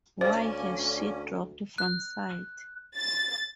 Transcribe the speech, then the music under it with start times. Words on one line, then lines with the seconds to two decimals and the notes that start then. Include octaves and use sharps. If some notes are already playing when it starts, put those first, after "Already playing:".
Why has she dropped from sight.
0.21 D2 C#4 C5 D5 F5
1.78 F#6
2.95 A6